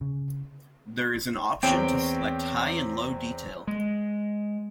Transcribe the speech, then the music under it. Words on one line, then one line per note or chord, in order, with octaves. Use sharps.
There is an option to select high and low detail.
C#3
E2 C4 C#5 G5 D7
G#3